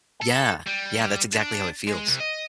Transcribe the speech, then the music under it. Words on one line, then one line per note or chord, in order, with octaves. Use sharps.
Yeah. Yeah, that's exactly how it feels.
A4
G3
D4
G#3
C2
D#5